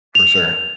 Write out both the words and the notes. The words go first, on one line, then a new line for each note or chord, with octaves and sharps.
For sure.
F7